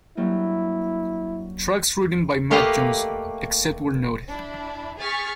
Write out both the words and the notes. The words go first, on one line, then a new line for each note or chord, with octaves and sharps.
Tracks written by Matt Johnson, except where noted.
G2 F#3 A#3 E4
A3 A#3 G4 B4 D#5 F5
D4 E4 B5
G#4 G#5 C#6 F6 A6 B6